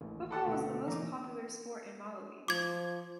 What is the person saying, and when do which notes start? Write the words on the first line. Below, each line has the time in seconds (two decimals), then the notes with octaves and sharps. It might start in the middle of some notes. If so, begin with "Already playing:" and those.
Football is the most popular sport in Malawi.
0.01 A1 D#2
0.31 A4 F#5 G5 A5 B5 D6
0.45 D2 B2 D3 A#3
0.88 E3 A#3 D#4 A#5 D6
2.48 F3 D6 G#6